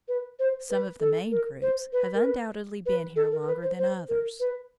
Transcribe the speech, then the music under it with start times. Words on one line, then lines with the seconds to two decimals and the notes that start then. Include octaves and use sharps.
Some of the main groups have undoubtedly been here longer than others.
0.08 B4
0.39 C5
0.70 B4
1.00 A4
1.31 A#4
1.62 C5
1.93 B4
2.15 A#4
2.24 B4
2.86 B4
3.16 A4
3.32 A#4
3.42 A#4
3.47 B4
3.62 C5
3.79 C5
4.09 A#4
4.40 B4